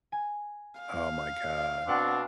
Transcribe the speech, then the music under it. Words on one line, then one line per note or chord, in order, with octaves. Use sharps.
Oh my god.
G#5
F5
B2 C4 D4 D5 F#5 G5